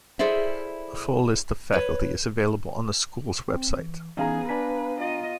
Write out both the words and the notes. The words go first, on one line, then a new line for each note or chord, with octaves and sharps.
A full list of faculty is available on the school's website.
E4 G#4 A4 C5 D5 E5
B4 C#5
C4
E3
E3 B3 C#4 D#4 G#4 F5 A#5
D4 B4 G#5 B6
F4 D#5